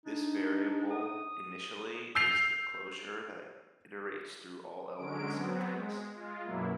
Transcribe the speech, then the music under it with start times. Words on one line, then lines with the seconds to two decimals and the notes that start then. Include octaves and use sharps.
This variable initially is the closure that iterates through all elements of the list.
0.06 D4 D#4
0.90 D#6
2.15 E6 G6 C7 F7
4.96 D3 F#3 G#3 C#4 D7
5.33 F#3 B3 C4
5.73 G#3
6.13 G#3 F4
6.43 F#2 B2 F#3 A#3 E4